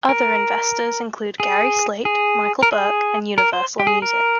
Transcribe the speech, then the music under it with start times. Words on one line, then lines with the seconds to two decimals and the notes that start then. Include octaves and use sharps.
Other investors include Gary Slaight, Michael Burke and Universal Music.
0.09 A#4
1.40 G#4
2.05 G#4
2.63 A#4
2.72 G#4
3.38 A#4
3.53 C5
3.80 G4
3.87 G#4
4.02 A#4